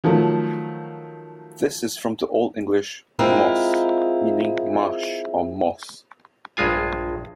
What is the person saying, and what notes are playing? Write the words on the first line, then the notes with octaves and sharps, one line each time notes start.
This is from the Old English "mos" meaning 'marsh' or 'moss'.
D#3 F3 F#3 A3
G#3 C4 E4 F4 A#4
A#1 G2 G#3 F4 G#5